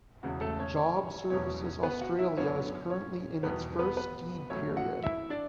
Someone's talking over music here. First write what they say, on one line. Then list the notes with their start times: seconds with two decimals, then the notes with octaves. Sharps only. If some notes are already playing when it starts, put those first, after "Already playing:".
Job Services Australia is currently in its first deed period.
0.23 E1 E2 C#3 F#4
0.41 A3 A4
0.59 C#4 C#5
0.77 C#4 C#5
1.30 E1 E2 B2 F#3 C#4 C#5
1.83 B3 B4
2.01 F#4 F#5
2.19 E4 E5
2.37 F#2 D3 F#3 B3 C#4 C#5
2.90 C#4 C#5
3.43 E2 B2 G3 B3 B4
3.79 B3 B4
3.97 B3 B4
4.50 A1 A2 F#3 A3 C#4 C#5
4.77 F#4 F#5
5.03 E4 E5
5.30 D4 D5